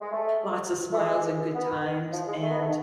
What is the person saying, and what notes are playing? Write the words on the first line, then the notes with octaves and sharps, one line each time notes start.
lots of smiles and good times, and
G#3
A3
A3
G#3
B3
F3
G#3
A3
B3
A3